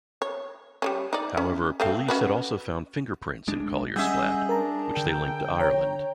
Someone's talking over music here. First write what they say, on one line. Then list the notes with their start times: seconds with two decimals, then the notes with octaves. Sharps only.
However, police had also found fingerprints in Collier's flat, which they linked to Ireland.
0.22 C#5
0.82 G3 A#3 C#4
1.13 D#4 D5
1.37 C#4
1.80 A3 C4 F5
2.08 C#4 F#4 B4
3.47 D1 G#3 D4
3.96 G3 C#4 G#4 D#5 E5 F#5 E6 G6
4.49 D4 A#4 A5 A#5
4.97 D3 G5
5.60 C#5 A#5